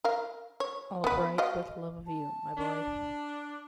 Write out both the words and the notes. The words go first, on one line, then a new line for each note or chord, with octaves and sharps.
All bright with love of you, my boy.
A#4 F5
C#5
B3 B4
F#4 D#5 F5
A5
D4